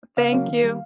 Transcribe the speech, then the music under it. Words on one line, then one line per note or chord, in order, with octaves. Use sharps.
Thank you.
C#3 F5
F#3 A#3 C#4
D#3
G3 A#3